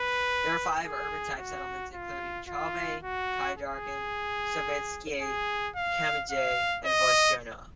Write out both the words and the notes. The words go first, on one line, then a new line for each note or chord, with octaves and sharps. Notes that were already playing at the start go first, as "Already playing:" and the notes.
There are five urban-type settlements, including Chauvay, Khaidarkan, Sovetskiy, Kadamjay and Vostochny.
Already playing: B4
G#4
F#4
F4
F4
F#4
G#4
G#4
F5
F5
D#5